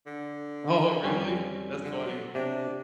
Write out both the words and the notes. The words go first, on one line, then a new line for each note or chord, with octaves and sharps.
Oh, really? That's funny.
D3
F2 G3 C#4
D3
F#3
C3 D4